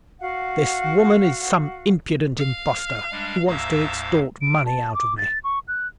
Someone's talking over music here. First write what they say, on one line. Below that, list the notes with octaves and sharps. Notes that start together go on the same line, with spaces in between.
This woman is some impudent impostor, who wants to extort money out of me.
F#4 F5 F#5
F5
F6
G3 G#3 D4
D2 G#2 E5 F5 A#5
D7
A5
D6
A6
C#6
F#6